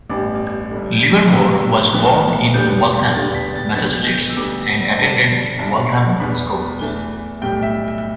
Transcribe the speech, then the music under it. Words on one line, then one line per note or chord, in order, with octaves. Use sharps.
Livermore was born in Waltham, Massachusetts, and attended Waltham schools.
A1 G2 G3 B3 D6
G1 G2 D3
G2 D3 G3 B3 E6
B1 A2 E3 B3
E2 D3 G3 B3 G6
E2 D3 G3 B3 A6
B6
A6
B1 B2 B3 A6
G6
E6
D2 D3 G3 B3 D6
G1 G2 D3 A5
G1 G2 E3 A5
E2 B2 B3 B5
E2 E3 A3
B1 A2 G3 G5
E5